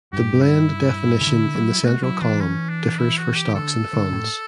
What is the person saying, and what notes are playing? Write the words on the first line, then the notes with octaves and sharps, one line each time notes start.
The "blend" definition in the central column differs for stocks and funds.
G2 G4
E4
C#3
D3
F#3
A3 F#4
F#3 E4
E3 D4
C#4
D4
E4
F#4
G4
D3 A4
D3
A2